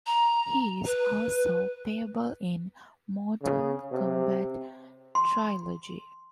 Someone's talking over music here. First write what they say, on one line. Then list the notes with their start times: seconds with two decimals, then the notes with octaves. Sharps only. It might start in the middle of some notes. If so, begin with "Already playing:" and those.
He is also playable in "Mortal Kombat Trilogy".
0.06 A#5
0.86 B4
3.42 C#3
3.92 C3
5.15 C6